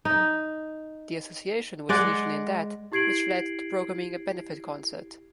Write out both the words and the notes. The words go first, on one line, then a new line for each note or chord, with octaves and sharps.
The association was initially in debt, which led to programming a benefit concert.
D#4
G#3 D5 F#5
E4 G4 G#6 C7 D7 F#7